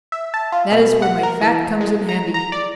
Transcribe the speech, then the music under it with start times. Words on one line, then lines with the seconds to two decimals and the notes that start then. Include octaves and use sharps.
That is where my fat comes in handy.
0.12 E5
0.34 A5
0.52 F4
0.72 B2
1.02 F#5
1.23 A#4
1.41 E3
1.81 G#3
2.09 A#5
2.34 A#5
2.52 D5